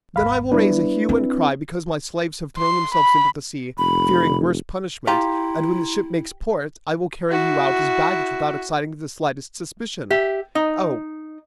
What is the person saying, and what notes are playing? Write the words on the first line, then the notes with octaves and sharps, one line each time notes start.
Then I will raise a hue and cry because my slaves have thrown themselves into the sea, fearing worse punishment; and when the ship makes port, I will carry you out as baggage without exciting the slightest suspicion!" "Oh!
G#1 E2 F5 B5
G3 B3 D4 E4 B4
C4
C6
B5
F1 B5
E4 F4 G4 A#5 C6
E4 F#4
G4 E5
D#4